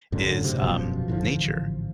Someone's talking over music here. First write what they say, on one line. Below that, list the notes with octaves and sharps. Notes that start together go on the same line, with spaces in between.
is, um, nature.
F#2 A2 D3
C3
E1 F#2 B2 F3
A1 G#2 D3 F3